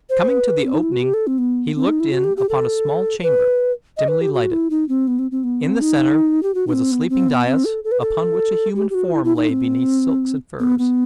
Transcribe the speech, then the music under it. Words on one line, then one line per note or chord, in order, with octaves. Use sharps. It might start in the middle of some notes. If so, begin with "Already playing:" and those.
Coming to the opening he looked in upon a small chamber dimly lighted. In the center was a sleeping dais upon which a human form lay beneath silks and furs.
C5
B4
C4
D#4
E4
F#4
G4
A4
C4
B3
C4
D#4
E4
F#4
G4
G4
A4
B4
D#5
B4
G4
F#4
E4
D#4
C4
B3
C4
C4
B3
C4
D#4
G4
F#4
D#4
C4
B3
C4
B3
C4
A4
A4
B4
A4
G4
G4
F#4
E4
E4
D#4
C4
B3
B3